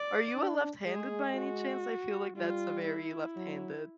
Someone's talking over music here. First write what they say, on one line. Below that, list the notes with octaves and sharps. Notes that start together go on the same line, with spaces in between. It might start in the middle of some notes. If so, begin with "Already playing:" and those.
Are you a left-handed by any chance? I feel like that's a very left-handed
Already playing: D5
D4
G#3 G#4
F#4
G3 F4
E4
F#3